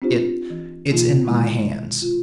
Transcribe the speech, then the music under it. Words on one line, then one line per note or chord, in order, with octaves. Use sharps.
It--it's in my hands.
C4 D4 D#4 F4 G4 C5
E3
B2 E3 A#3 D#4 F4
C3 D#3 G#3 E4 G#5
F4